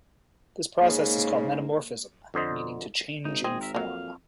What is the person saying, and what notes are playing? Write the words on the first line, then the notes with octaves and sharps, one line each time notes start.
This process is called metamorphism; meaning to "change in form".
G#2 C#3 A#3
F2 D3 C5 D#5
G#1 D#4
C4 G#4 D#5
A#4 E5
F2 F#3 A#3 F5